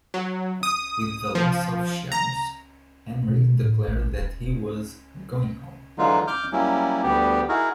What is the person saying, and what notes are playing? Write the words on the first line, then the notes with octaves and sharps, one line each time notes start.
With the loss to Sheamus, Henry declared that he was "going home".
F#3
D#6
F3
A#5
B2
A2
A1
D#1
D3 E3 F#3 G#3 D#4 F4
D6 F6 G6
F#3 G3 A#3 C#4 E4
D2 G3 B3 G4
D#4 E4 F#4 G#4 A#4